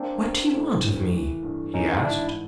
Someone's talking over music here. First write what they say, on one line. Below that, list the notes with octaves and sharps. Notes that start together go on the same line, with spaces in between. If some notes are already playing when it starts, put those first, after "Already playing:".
"What do you want of me?" he asked.
Already playing: A#3 C4 D4
A#3
A2
E3
E3
G2
E3 C#4 D#4
G#2 D4 E4